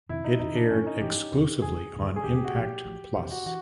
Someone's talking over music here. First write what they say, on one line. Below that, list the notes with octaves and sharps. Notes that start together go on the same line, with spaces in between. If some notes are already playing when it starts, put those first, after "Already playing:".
It aired exclusively on Impact Plus.
F2 C3 D#3 E4
D#4
F2 C3 D#3 D#4
D4
G2 E3 A3 C#4
D#4
G2 E3 A3 G4
F1 E2 C#3
F1 E2 C#3 G#4
E1 D#2 D3
G#4
E1 D#2 D3 G4
G4
F#4
A1 A2 F3 G4
A1 A2 F3
F2 C3 E3 G4
F#4
E3 F#4